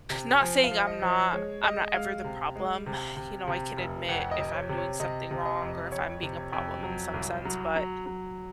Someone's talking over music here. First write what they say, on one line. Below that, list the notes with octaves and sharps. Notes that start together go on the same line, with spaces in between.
Not saying I'm not I'm not ever the problem. You know, I can admit if I'm doing something wrong or if I'm being a problem in some sense, but,
C3
F3 G#5
F5
F3
D#5
F3
D#5
G#3 C#5
G#3 D#5
G#3 F5
C3
G#3
C3
C3
C3
F1
F2 F#5
D#5
C3
C#5
C3
C#5
C3 D#5
C3
D#5
F2
F2 C#5
C3
F2
F#3
C2
F#3
F#3
F#3